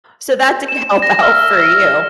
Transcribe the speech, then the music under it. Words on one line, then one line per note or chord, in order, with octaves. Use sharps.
so that did help out for you.
E7
A#6
E5 F6